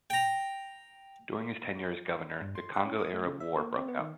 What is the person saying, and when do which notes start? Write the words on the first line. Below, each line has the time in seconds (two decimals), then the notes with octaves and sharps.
During his tenure as governor, the Congo-Arab War broke out.
0.10 G5 A#5
2.42 G2
2.55 C6
2.73 F#5
2.85 C#4
2.98 D#6
3.13 A3
3.26 C#3
3.40 E5
3.57 A#3
3.76 C4
3.88 B3
4.00 D#3